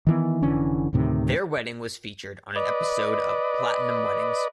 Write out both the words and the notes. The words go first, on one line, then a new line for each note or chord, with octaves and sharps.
Their wedding was featured on an episode of "Platinum Weddings".
D#3 E3 B3
F1 D3 E3 C#4
D2 A2 C3 D#3
B4 D5 D#5